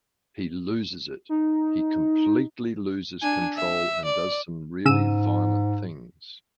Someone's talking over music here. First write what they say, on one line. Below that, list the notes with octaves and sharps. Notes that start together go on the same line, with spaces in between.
He loses it; he completely loses control and does some really violent things.
D#4
D4 G#5
E5
D5
G#2 C#3 E6 D#7